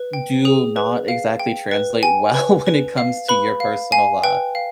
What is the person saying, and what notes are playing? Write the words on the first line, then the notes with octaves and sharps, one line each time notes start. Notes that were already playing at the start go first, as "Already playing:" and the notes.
do not exactly translate well when it comes to your personal, uh,
Already playing: B4
G5
G#4
B4
F5
G5
B4
G5 G#5
B4
B4
F5
B4 B5
F5
F5 G#5
B4 G5
F5